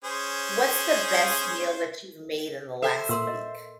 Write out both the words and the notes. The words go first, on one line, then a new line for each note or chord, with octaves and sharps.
What's the best meal that you've made in the last week
C#4 G#4 C5
A4 C5 E5
A#2 A#4 C6 E6
D#5